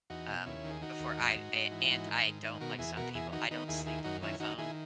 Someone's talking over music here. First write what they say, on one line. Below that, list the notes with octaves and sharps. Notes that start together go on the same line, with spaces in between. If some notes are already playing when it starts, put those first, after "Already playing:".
um, before I a and I don't like, some people, I don't sleep with my phone,
E2 D#4 F#4
B2
D#2 C#4 E4
D#3
G#4
D#3 D#4 F#4
D#2
G#2
G#2
G#2
E3
G#2
D#3
G#2
D#3
B2 F#4 A#4
E2 E4 G#4
B2 F#4 A#4
E2 E4 G#4
D#3 D#4 F#4
D#3 B3 D#4
D#2 E4 G#4
D#3 E4 G#4
F#2 D#4 F#4
D#3 C#4 E4
D#3 D#4 F#4
D#3 E4 G#4